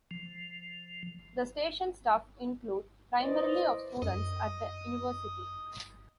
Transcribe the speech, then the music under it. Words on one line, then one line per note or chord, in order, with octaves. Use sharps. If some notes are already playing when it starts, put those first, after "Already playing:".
The station staff include primarily of students at the university.
F3
E4 B4 C5 D5 D#5
F#2 D#5